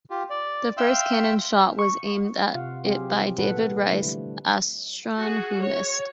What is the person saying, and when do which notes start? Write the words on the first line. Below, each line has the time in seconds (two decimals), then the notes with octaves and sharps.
The first cannon shot was aimed at it by David Rice Atchison, who missed.
0.10 F4 G4
0.30 D5
0.77 E5 F5 G5 C6 E6
1.79 C#6
2.53 C3 F4 F5 F#5
2.85 F#3 C4 G4 G#4 C5 F5
3.38 A#2 E3 A4 B4 F#5
3.91 D3 F3 A3 E4
4.06 F3 G3
5.16 F#4 G#4
5.60 C#5